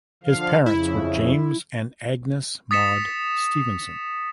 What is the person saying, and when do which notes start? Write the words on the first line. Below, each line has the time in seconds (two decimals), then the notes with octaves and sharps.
His parents were James and Agnes Maud Stephenson.
0.23 D3 F3 F5
0.66 F2 C#3 E4
2.71 D#6 A6 B6 C#7 E7